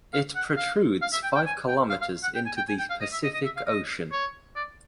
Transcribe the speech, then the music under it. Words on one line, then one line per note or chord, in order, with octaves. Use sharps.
It protrudes five kilometres into the Pacific Ocean.
F5
F#5
F5
F5
E5
G5
G5
G#5
G5
F5
F5
F#5
G5
G#5
G5
G#5
G5
F5
D#5
E5
D#5
D#5
E5
F5
D#5
C#5
D5